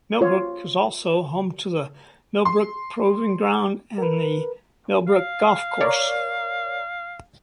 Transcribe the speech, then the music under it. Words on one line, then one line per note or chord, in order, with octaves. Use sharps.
Millbrook is also home to the Millbrook Proving Ground and The Millbrook Golf Club.
F4 C#5
C6
A#4 B4
F5
A#4 C#5 D5